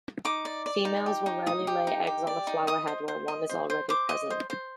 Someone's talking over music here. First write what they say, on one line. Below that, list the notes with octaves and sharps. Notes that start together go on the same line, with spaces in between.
Females will rarely lay eggs on a flower head where one is already present.
D#4 D6
D5
D5
D#4
G4
D#4
D#4 D#6
G4
D#4
G4
D5
D#4
D#5 D#6
C5
C5
D#5
C5
C5
C5 D6
D#5
C5
C5